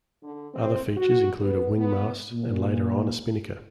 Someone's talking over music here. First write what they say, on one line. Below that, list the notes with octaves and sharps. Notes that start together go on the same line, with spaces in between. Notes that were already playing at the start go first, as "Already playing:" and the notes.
Other features include a wing mast, and later on a spinnaker.
D3
C4
F#4
B3
B3
A#2